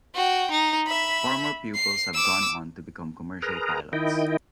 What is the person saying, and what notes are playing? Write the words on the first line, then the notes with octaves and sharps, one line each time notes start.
Former pupils have gone on to become commercial pilots.
F#4 G5
D#4
E5 B5
C7
D6 E6
G#4 A#4 B4 A#5
D#3 E4 D#5 G5